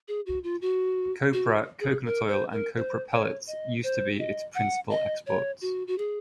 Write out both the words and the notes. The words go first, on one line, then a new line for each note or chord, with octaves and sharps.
Copra, coconut oil and copra pellets used to be its principal exports.
G#4
F#4
F4
F#4
F#4
G#4
A#4
C5
A#4
C5
C#5
D#5
C5
D#5
F#5
D#5
C#5
F#4
F#4
G#4